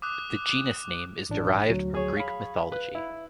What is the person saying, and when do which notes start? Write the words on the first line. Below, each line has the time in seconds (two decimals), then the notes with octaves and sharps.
The genus name is derived from Greek mythology.
0.02 D6 D#6 F#6
1.29 A1 D4
1.70 D2 F#3
1.95 G#4 C#5
2.17 F5 B5
2.72 B4
2.95 E4